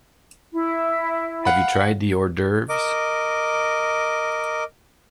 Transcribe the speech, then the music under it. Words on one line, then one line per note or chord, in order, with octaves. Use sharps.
Have you tried the hor d'oeuvres?
E4
F5 F#5 B5
A#4 D#5 D6